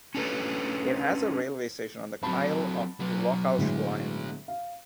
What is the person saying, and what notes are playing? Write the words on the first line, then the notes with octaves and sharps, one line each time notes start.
It has a railway station on the Kyle of Lochalsh Line.
C#4 D4 A4 B4 C#5
F#3 C4 A5 B5
F#3 B3
A2 D3 G#3
F5